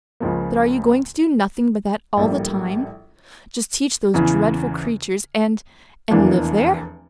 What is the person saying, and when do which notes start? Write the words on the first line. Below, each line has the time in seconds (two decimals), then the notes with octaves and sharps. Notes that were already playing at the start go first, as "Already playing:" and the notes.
"But are you going to do nothing but that all the time--just teach those dreadful creatures, and--and live there?"
0.20 C#2 C#3 F3 A#3
2.17 A#1 A2 G3 A#3
4.14 E2 C#3 E3
6.10 F1 E2 E3 A#3 D4